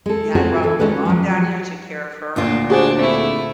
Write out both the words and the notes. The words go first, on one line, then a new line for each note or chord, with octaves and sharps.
Yeah, I brought my mom down here, took care of her
G#3 A4
C4 C#4 F4 F#4 G#4 C5
E3 A4 G#5
D#3 G#3 A#3 C#4 F#4 B4
F3 F#3
D2 A#2 D4 F4
D4 F#4 G#4 C5
A3 C4 E4